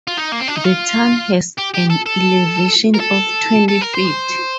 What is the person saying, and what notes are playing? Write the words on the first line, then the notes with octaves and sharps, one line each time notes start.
The town has an elevation of twenty feet.
F4
D#4
A#3
C4
D4
D#4
F4
G4
G4
A4
A4
A#4
A4
A4
A#4
C5